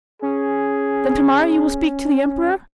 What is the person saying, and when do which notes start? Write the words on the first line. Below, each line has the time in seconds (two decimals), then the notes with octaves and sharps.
"Then tomorrow you will speak to the Emperor?"
0.22 C#4 G#4